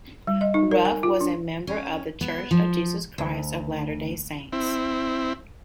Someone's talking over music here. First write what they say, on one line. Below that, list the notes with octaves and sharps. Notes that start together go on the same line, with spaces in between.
Ruff was a member of the Church of Jesus Christ of Latter-day Saints.
G3
D#5
D#4
A#4
G#5
F4
D4
C#4
B3
F3
D2
C4 E4